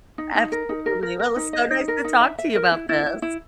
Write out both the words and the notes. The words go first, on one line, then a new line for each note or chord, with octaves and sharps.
Absolutely. Well, it was so nice to talk to you about this.
D#4
D#4
A#4
D#4
A#4
A#4
A#4
D#4
D#5
D#4
A#4
D#4
E5
E5
A#4
E4
E4
E4
E4